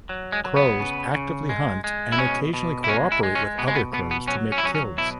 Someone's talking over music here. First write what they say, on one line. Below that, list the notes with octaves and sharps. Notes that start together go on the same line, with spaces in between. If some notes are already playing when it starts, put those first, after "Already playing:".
Crows actively hunt and occasionally co-operate with other crows to make kills.
F#3
G#3
F#3
B3
C#3
C#3
G#3
G#3
E4
B2 C#4
B2
E4
G#3 C#4
E4
G#3
C#4
B2 B3
G#3
B3
B2 B3
B3
F#3 C#4
C#4
E4
F#3 C#4
C#4
B2 E4